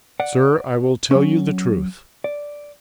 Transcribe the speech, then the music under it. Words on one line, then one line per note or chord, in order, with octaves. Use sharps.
'Sir, I will tell you the truth.
D5 F#5
F#3 C#4
D5